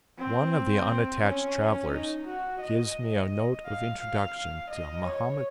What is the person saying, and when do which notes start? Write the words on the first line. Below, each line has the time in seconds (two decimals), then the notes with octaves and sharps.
One of the unattached travellers gives me a note of introduction to Mohammed.
0.18 C4
1.23 C#4
1.93 D#4
2.27 F#4
2.62 D#5
3.65 F5
4.00 F5
4.70 D#5
5.04 C#5